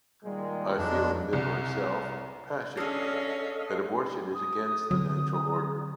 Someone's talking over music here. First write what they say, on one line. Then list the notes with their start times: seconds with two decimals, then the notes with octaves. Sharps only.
I feel within myself, passionately, that abortion is against the natural order.
0.24 A#2 D#3 G3 G#3
0.78 F2 F#3 G#3 D4 D#4
1.33 C2
2.77 C#4 D4 G#4 A4 D#5 F5
4.35 D#6
4.91 D3 F#3 C4